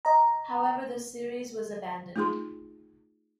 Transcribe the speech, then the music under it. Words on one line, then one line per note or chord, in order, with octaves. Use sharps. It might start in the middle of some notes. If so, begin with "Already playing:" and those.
However, the series was abandoned.
D#5 A#5
A3 D#4 F4 G#4 C6